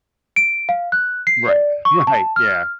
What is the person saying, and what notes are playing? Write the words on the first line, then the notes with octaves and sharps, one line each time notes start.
Right, right, yeah.
D7
F5
F#6
C7
D5
C#6
A5
F6